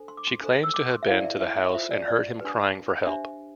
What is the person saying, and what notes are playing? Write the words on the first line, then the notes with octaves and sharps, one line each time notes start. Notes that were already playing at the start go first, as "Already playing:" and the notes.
She claims to have been to the house and heard him crying for help.
Already playing: D4 A4 C5
C6
D6
C6
D4 A4 C5
E6
D6
C6
E5
E4 A4 C5 F5
D5
E5
E5
E5
F4 C5 E5
D5
D5
D4 G4 B4
D4 G4 C5 E5